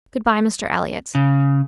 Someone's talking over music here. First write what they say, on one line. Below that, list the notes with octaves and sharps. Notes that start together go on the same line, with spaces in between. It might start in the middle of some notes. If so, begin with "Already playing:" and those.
"Good-bye, Mr. Elliott."
C#3